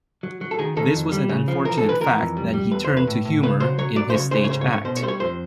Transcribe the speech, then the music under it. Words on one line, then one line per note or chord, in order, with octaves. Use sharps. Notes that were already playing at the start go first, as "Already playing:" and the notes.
This was an unfortunate fact that he turned to humour in his stage act.
F#3
F#3
A4
D#3 G#4
D#3 A4
F2
G3
C#3
F3
E3 A#4
A4
E3
B4
E3 A#4
F2
G3
G3
E2 B4
E2 C5
B4
A2
A2
C#3 B4
F#3 C5
F#3 C#5
F#3 D5
C5
C#3 C#5
C#3 C5
C#5
G#2 C5
C#5
G#2
C#5
B2 C5
C#5
G3 C5
C#5
F2 C5